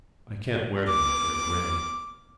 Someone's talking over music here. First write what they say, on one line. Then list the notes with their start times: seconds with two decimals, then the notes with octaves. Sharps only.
I can't wear them if they are grey.
0.89 D6